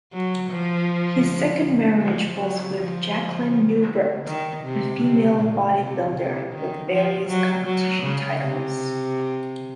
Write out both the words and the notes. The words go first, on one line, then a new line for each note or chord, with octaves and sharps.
His second marriage was with Jacqueline Nubret, a female bodybuilder with various competition titles.
F#3
F3
F3
F#3
F3
D#3
C3
C3
A#2
C3
C3
D#3
F3
F#3
F#3
C#3
C3